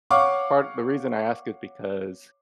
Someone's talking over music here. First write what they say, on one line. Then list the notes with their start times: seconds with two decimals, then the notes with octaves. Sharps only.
Part the reason I ask is because
0.11 C#5 F5 F#5 C#6 D6